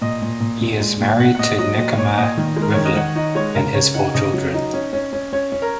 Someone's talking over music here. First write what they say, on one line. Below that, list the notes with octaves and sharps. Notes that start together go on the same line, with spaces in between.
He is married to Nechama Rivlin, and has four children.
A#2 D#5
A#2
A#2
A#2
G#3
A#2
A#2 F#5
F#5
A#2 D#5
F#3 D#5
A#2 D#5
A#2 C#5
A#2 D#5
D#3
G#3
A#4
D#3 C#5
D#5
D#3 F#5
D#4 D#5
G#3 C#5
C#3 A#4
C#3 C#5
D#4 F#5
C#3 D#5
F#3
D#4
C#4
C#4
C#4
C#4 C#5
C#4
A#4